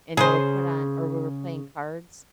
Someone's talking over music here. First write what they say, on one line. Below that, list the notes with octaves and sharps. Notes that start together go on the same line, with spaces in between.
and I would put on or we were playing cards,
C#3 G#4 B4 C5